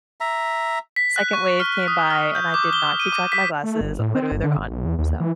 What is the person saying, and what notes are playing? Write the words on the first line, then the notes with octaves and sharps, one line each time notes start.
Second wave came by, and I did not keep track of my glasses, literally, they're gone. So
E5 A#5
B6
F#6
C#6
F6
D#6
F6
G6
D6
G7
D#7
D6
B6
A3
G1
A2
C4
G1
D3
G#1
B1
E2
D#2
E3